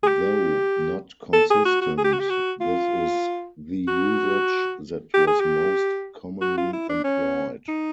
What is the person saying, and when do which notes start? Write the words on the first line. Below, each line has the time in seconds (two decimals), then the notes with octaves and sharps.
Though not consistent, this is the usage that was most commonly employed.
0.03 G#4
0.08 G4
1.33 A4
1.50 G#4
1.65 F#4
1.81 F#4
1.97 G#4
2.04 G4
2.12 F#4
2.19 G4
2.30 F#4
2.61 F4
3.88 F#4
5.14 G4
5.27 G#4
5.40 G4
6.41 F#4
6.57 F4
6.73 E4
6.89 D4
7.04 C#4
7.68 D#4